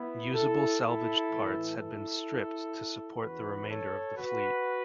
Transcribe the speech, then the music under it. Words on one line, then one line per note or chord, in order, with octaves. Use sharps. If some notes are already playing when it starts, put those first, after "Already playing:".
Usable salvaged parts had been stripped to support the remainder of the fleet.
Already playing: B3 E4
E4 A4
E4 A4
A2 E3
E4 A4
E2 C#3 E3 F#4 B4
A4 C#5
F#4 B4